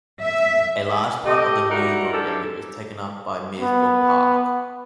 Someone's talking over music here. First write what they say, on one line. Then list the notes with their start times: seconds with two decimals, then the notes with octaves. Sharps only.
A large part of the Meersbrook area is taken up by Meersbrook Park.
0.20 E5
1.25 A3 G4 D#5
1.71 D#4 E4 F#4 A#4 D5
2.12 G#2 D4 G4 A4
3.59 B3